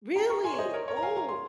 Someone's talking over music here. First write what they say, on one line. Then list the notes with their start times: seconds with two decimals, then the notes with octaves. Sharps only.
Really? Oh.
0.16 G5 A#5
0.30 A#5 C#6
0.44 G#5 C6
0.54 C#5
0.59 C5 D#5
0.74 A#4 C#5
0.88 A#4 C#5
0.97 A#5
1.03 F5 G#5
1.17 A#5
1.29 C6